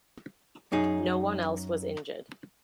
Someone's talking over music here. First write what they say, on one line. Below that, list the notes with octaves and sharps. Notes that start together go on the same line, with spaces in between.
No one else was injured.
F#2 D#4 G#4